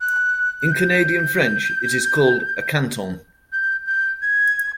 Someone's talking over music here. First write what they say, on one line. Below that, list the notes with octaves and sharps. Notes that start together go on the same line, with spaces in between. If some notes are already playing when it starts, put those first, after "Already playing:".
In Canadian French, it is called a "canton".
F#6
F#6
G6
G6
G6
G#6